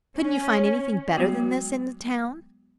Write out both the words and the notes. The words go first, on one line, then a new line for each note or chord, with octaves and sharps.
Couldn't you find anything better than this in the town?
C#4
F#3 G#3 B3 F#4